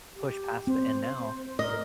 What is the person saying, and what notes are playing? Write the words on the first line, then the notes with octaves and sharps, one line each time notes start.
push past it and now
G4
C4 C5
A#4 D#5